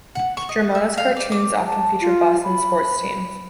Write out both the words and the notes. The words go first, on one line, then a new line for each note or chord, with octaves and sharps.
Germano's cartoons often feature Boston's sports teams.
F#5
C#6
D#5
E5
F5
D5
D6
A5
F4
B5